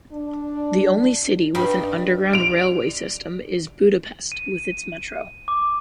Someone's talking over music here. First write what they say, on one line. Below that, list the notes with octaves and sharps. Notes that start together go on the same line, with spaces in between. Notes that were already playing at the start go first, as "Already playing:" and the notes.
The only city with an underground railway system is Budapest with its Metro.
D4
G2 G3 D#4
D7 F7
D#7
D6